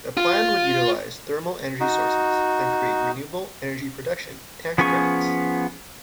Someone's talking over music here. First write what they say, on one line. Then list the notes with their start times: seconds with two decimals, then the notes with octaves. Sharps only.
The plan would utilize thermal energy sources and create renewable energy production tax credits.
0.17 F4
1.80 D#4 F#4
4.78 F3 B3 C#4 G#4 C#6